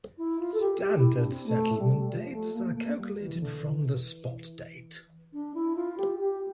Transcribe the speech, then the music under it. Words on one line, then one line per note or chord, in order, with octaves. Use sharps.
Standard settlement dates are calculated from the spot date.
E4
F4
A4
G4
G4
E4
D4
C4
A3
G3
F3
A3
A#3
A#3
G3
E3
D3
E3
E3
D4
E4
F4
G4
G4